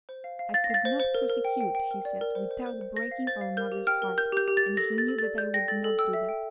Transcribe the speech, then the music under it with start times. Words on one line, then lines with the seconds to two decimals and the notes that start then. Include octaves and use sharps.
I could not prosecute, he said, without breaking our mother's heart, and he knew that I would not do that.
0.09 C5
0.24 F5
0.39 F5
0.54 F5 A6
0.64 A#6
0.70 F5 A6
0.85 C5
1.00 C5
1.15 A#4
1.30 A#4
1.45 G5
1.60 G5
1.75 G5
1.91 A#4
2.05 D5
2.21 A#4
2.35 C5
2.51 C5
2.66 C5
2.81 C5
2.96 C5 A#6
3.11 F5
3.27 C5 A6
3.41 F5
3.57 A#4 G6
3.72 G4
3.87 G5 F6
4.02 A#4
4.18 A#4 G6
4.32 G4 G6
4.48 G4
4.57 A6
4.63 G4
4.77 A4 A#6
4.93 A4 A6
5.08 A4
5.18 D5 A6
5.38 D5 G6
5.54 G5 A#6
5.68 A4 A6
5.84 A4
5.98 G5 E6
6.13 E5
6.29 G5